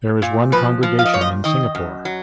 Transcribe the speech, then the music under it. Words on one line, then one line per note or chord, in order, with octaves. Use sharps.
There is one congregation in Singapore.
A#2
F3 B4
F3
F5
D#5
A#2 C#5
D#5
D#3 D#5
F#2
F#3